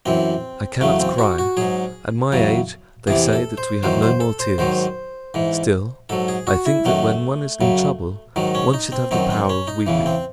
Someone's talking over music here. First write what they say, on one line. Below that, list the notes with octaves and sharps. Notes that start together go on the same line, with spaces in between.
I cannot cry; at my age they say that we have no more tears,--still I think that when one is in trouble one should have the power of weeping.
F#2 E3 C4
E2 C#3 F#3 A3
C4
F#4
F#4
G#2 F#3 G#4
E2 C#3 F#3
E2 C3 E3 G#4
A4
C5
E2 D#3 F#3 C5
C5
A4
C5
G#2 D#3 F#3 C5
G#2 E3
G#2 F#3 A4
G#4
F#4
E4
F#2 D#3 F#3 A3
F#2 C#3 F#3
G#2 D#3 F#3
C#4
D#4
C4
F#2 D#3 F#3 C4
C4
C#4
D#4
E2 C#3 E3
C4